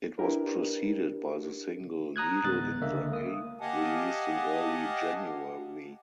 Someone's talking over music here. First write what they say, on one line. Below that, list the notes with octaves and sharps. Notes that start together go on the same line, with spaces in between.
It was preceded by the single "Needle in the Hay", released in early January.
D4 E4 G4 A#4 B4
A#5 D#6 F#6 G#6
A1 D2 G#3 B3 F#6 A6
C#2 D3 A#3 D#5 E5
A#3 D#6
G4 D#5 F5 F#5 G#5 A5